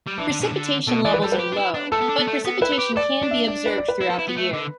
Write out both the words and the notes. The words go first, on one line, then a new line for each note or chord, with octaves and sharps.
Precipitation levels are low, but precipitation can be observed throughout the year.
G3
E3 D4
D3
B2
E3
D3
B2 A4
E3 D5
B4
G3 A4
B4
G4
D4
E4
D4
A3 A4
B3
D4
B3
A3
B3
E4 B4
A4
G4
A4 D5
D4
E5
D5
B4
D5
B4
E4
A4
E4
B3
A3
D3